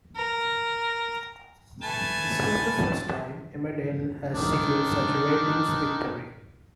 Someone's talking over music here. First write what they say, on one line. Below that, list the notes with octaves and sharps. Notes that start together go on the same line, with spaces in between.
This was the first time "Emmerdale" has secured such a ratings victory.
A#4
A3 B4 G#5 A5
D#3 D4